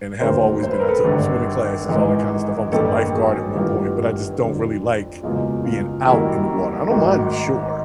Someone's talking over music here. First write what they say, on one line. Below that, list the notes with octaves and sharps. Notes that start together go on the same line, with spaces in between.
and have always been. I took swimming classes, all that kinda stuff. I was a lifeguard at one point, but I just don't really like being out in the water. I don't mind the shore,
D#2 D3 F#3 A3 A#4 C5
C5
B4
A#4
A4 B4
G#1 G2 D3
G#1 G#2 E3 G#3
A1 G2 D#3 G3 A#3 G4 A4
F#4 G#4
G#1 G2 E3 A3 F4 G4
F2 D3 F#3
F#1 E2 B2 G#3 F4
F4
G#1 F#2 D#3 G3 A#3 E4 F#4
G#1 G#2 D#3 F#3 A3